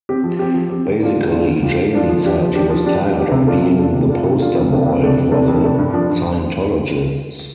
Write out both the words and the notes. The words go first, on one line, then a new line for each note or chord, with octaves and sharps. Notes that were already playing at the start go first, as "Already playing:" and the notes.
Basically, Jason said he was tired of being the poster boy for the Scientologists.
C4 G4
F3
C4 G4
F3
C4 G4
D3
G3 D4 F4
D3
G3 D4 F4
D3
G3 D4 F4
D3
G3 D4 F4
F3
D4 G4
F3
D4 G4
F3
D4 G4
F3
D4 G4
C3
A3 D4 F4
C3
A3 D4 F4
C3
A3 D4 F4
C3
A3 D4 F4
F2
C3 A3 D4
F2
C3 A3 D4
F2
C3 A3 D4
F2
C3 A3 D4
G2
F3 D4
G2